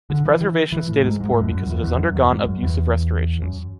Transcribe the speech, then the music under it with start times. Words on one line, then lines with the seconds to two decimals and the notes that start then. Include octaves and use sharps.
Its preservation state is poor because it has undergone abusive restorations.
0.10 D3
0.25 E3
0.41 E3
0.72 E3
0.89 A2
1.04 G#2
1.20 G#2
1.31 A2
1.41 F#2
1.52 F#2
1.67 E2
1.84 E2
1.99 F#2
2.15 E2
2.31 G#2
2.46 F#2
2.63 E2
3.42 F#2